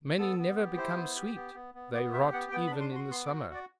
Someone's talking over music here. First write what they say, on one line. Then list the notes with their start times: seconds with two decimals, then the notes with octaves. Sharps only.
Many never become sweet; they rot even in the summer.
0.19 B3 A4
0.38 B3
0.58 G4
0.77 E4 C5
0.96 B3
1.15 G4
1.35 B3
1.54 B3
1.74 B3
1.93 B3 D5
2.13 G4 E5
2.33 B3 F#5
2.51 B3 G5
2.67 B5
2.71 D4
2.81 C6
2.91 F#4 C6
3.10 B3 C6
3.26 D6
3.30 F#4
3.50 F#4 D5